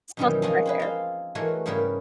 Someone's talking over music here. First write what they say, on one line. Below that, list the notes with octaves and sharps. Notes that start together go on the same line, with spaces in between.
Smell some fresh air.
F#2 B2 D#3 E3 F#3 G3
F3 G#3 C4 D#4 F#4 A#4
C4 G#4 B4
A#3 F4
E3 G#3 A3 F#4 A#4 C#5
G#2 C#3 G3 A#4 B4 C#5